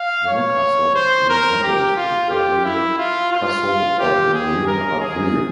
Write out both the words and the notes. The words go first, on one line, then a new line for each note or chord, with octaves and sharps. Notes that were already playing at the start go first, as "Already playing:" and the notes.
The new castle resembles the earlier Castle of the Morea at Rio.
Already playing: F5
C#5
C5
A#4
G4
F4
G4
E4
F4
F4
G4
G#4
A#4
G#4